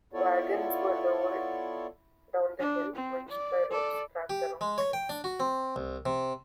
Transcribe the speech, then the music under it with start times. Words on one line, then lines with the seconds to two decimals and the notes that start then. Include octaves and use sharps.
Wagons were lowered down the hill winched by ropes wrapped around trees.
0.14 B3 E4 F4 A4 C#5 D5
2.60 D4
2.96 C4
3.29 D5
3.71 A4 D5
4.30 G4
4.61 G#3
4.78 C#5
4.93 G5
5.09 D4
5.24 F#4
5.40 C4
5.76 C2
6.06 C3